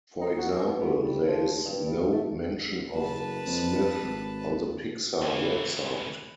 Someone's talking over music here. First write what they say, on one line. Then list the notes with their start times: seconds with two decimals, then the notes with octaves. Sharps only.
For example, there is no mention of Smith on the Pixar website.
0.21 D#4
0.38 F#4
0.51 A#3
0.65 B2
0.80 B3
1.04 G3
1.27 F3
1.65 G2
1.86 G3
2.12 A3
2.94 F#1 B4 A5
3.46 F2
4.02 G#1
5.22 C#2 E3